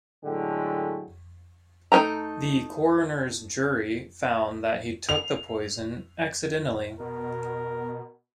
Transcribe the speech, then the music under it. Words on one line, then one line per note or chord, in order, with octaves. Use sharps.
The coroner's jury found that he took the poison accidentally.
A2 D3 F#3 G#3 G4
A3 D#4 C5 G5 A#5
F7
B2 A#4